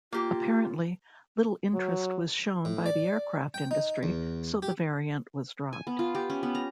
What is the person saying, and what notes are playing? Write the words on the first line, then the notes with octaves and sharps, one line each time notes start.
Apparently, little interest was shown by the aircraft industry, so the variant was dropped.
A#3 F4 G4
F#3
A2
D5
G5
D#4
E2
G4
G#5
B3
F4
G4
C#4
B3
A#5